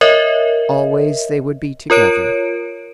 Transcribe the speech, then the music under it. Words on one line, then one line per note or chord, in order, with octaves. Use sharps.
Always they would be together.
A#4 C#5 D#5 E5
F4 A#4 C#5 D7